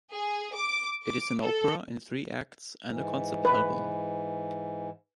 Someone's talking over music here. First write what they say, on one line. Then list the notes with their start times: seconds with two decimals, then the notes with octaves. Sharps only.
It is an opera in three acts and a concept album.
0.12 G#4
0.55 D6
1.06 D6
1.42 A4
2.88 G#2 E3
3.45 B4